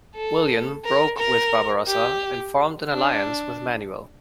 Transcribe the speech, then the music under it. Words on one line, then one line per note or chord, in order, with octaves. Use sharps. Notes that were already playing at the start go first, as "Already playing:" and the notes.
William broke with Barbarossa and formed an alliance with Manuel.
A4
A#4
A#4
G4
D4